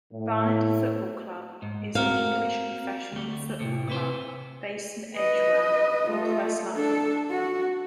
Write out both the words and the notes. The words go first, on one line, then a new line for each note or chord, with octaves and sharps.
Barnet Football Club is an English professional football club based in Edgware, north-west London.
A2
G#2
C4 F#4 A#4 F5
D2 A3
A2 C3
C3 B4 C5
B4 D#5
A3 F4
D4 A4
F#4